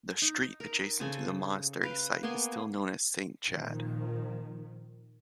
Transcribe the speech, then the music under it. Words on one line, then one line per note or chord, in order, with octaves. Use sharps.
The street adjacent to the monastery site is still known as Saint Chad.
D#4
A#4
C#3 A4 C5 G#5
B4 F5 G5
A#3 B3 G#5 C6
A#2 D#3 F3